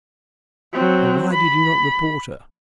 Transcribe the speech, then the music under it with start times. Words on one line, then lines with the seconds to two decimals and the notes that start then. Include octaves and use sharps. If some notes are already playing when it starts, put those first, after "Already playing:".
"And why did you not report her?"
0.73 F#3 C4
1.33 B5